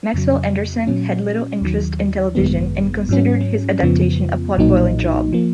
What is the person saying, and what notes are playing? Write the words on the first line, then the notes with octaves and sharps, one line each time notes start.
Maxwell Anderson had little interest in television, and considered his adaptation a "potboiling job".
F2 C#3 F#3
A#2 F#3 C#4
D#2 D#3 F#3
G#1 F#2 D#3 G#3 B3
G#2 F#3 C#4
F2 C#3 F3 B3
B1 A#2 F#3 A#3 D#4
F3 A#3